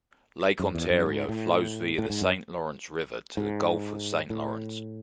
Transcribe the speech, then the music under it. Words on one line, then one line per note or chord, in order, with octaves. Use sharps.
Lake Ontario flows via the Saint Lawrence River to the Gulf of Saint Lawrence.
F#2
E2
F#2
G#2
A2
A2
G#2
F#2
G#2
A2